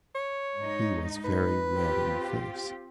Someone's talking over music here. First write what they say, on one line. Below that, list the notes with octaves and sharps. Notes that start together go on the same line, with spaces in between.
He was very red in the face.
C#5
G#2 D#4
B4
C4 F4 G4